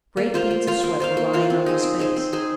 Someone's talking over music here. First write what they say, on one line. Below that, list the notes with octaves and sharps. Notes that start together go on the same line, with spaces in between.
Great beads of sweat were lying on his face.
A#3
F4 C5 F5
A#3
F4 C5 F5
A#3
F4 C5 F5
A#3
F4 C5 F5
C4
D#4 G#4 C5
C4
D#4 G#4 C5
C4
D#4 G#4 C5